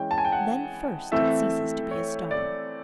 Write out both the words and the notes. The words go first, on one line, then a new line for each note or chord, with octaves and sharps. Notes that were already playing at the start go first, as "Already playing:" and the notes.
Then first it ceases to be a stone.
Already playing: E3 G#3 C#4 G5
A5
G#5
G5
F#5
E3 A3 C4 E5
C#5
D5